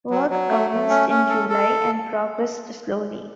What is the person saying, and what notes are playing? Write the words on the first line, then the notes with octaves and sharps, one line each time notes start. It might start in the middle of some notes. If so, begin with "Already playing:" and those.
Work commenced in July and progressed slowly.
F#3
F#3
A3
A3
C#4
C#4
A4
A4